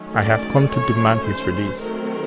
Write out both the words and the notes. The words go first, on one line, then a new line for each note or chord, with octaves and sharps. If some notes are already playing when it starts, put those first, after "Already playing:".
"I have come to demand his release."
Already playing: D#3 F#3 A3 C#4
D5
C#5
C5
D#3 F#3 A3 C4 A#4